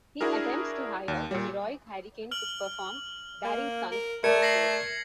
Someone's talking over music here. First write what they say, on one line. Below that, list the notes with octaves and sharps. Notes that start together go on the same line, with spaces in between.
He attempts to hire the heroic Hurricane to perform daring stunts for his shows.
D4 E4 F#4 G#4 A#4
D#2
A#2 G3
F6 F#7
A#3
A#4
A3 A#4 D5 G#6 C#7
A#6 C7 F#7